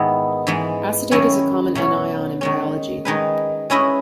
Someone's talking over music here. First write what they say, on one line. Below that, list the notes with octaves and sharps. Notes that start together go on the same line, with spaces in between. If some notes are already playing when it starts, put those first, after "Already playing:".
Acetate is a common anion in biology.
Already playing: G#2 D#3 G#3 B3 E4
G#2 E3 G#3
F#2 D#3 G#3 C#4 E4
B2 F#3 C#4
D#3 G#3 C#4
D#3 G#3 D#4 G#4 B4
G#3 C#4 E4 B4 D#5